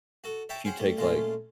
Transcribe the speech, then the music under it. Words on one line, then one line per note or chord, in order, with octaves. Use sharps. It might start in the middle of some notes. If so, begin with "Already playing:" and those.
if you take, like
F#4 A4
C#5 E5 G5 A5 A#5
C#4 G#4 C5 F#5 G5
G3 A3
A#2 G#3 A3 C#4 F4